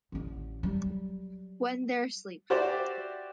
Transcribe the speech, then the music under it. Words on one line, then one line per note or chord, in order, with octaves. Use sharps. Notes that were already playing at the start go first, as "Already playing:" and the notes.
When They're Asleep.
A1 D3
F#3 G3
F#4 G4 C5 D5 E5